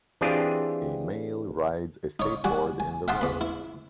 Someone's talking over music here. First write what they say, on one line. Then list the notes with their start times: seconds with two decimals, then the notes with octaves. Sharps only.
A male rides a skateboard in the road.
0.21 E3 C4 D4 F4 G4 G#4
2.20 D#4 C#5
2.44 G3 F#4 G#5
2.80 G#5
3.08 E5 F#5 G5 A5 C6 D#6
3.21 E2 B5
3.41 E4